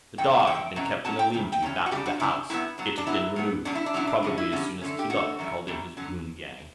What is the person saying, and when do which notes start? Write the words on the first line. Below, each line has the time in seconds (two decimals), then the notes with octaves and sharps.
The dog had been kept in a lean-to back of the house; it had been removed, probably as soon as Keeluk called in his goon-gang.
0.18 G2 E3 G5
0.40 A5
0.47 G2 E3 G5
0.76 E2 B2 F#3 C#4
1.04 E2 B2 F#3 C#4 A5
1.19 G5
1.34 E2 C#3
1.52 G5
1.62 E2 C#3 C#4
1.86 F#4
1.91 C#3 G3 D4 G4
2.06 F#4
2.20 C#3 G3 D4 E4
2.50 G2 F#3 B3 E4
2.78 G2 F#3 B3
2.98 D4
3.07 A2 F#3 B3 E4
3.36 A2 F#3 B3
3.65 E2 B2 F#3 C#4 D4
3.75 E4
3.86 D4
3.94 E2 B2 F#3 C#4 E4
4.07 D4
4.23 G2 D3 G3 C#4
4.38 E4
4.52 G2 D3 G3 C#4
4.81 D3 A3 C#4
4.99 G4
5.10 D3 A3 C#4 F#4
5.39 F#2 E3 G3
5.67 F#2 E3 G3
5.97 D3 F#3 C#4